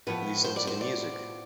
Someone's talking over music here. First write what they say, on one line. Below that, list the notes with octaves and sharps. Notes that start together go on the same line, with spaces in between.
Listen to the music...
A2 F3 B3 B4
C5
D5
C5
D5